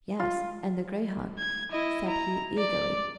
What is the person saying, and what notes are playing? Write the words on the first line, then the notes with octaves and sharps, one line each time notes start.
"Yes, and the greyhound," said he eagerly.
F4
G#6
E4 D#5
A#5
D5